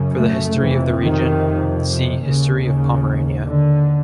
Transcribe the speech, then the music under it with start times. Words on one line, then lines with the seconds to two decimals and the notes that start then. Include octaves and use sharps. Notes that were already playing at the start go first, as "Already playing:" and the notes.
For the history of the region, see "History of Pomerania".
Already playing: F#2 C#3
0.19 A3
0.59 F2 C3 E3
1.00 D#3
2.24 D#2 C#3
2.64 C#3
3.46 D3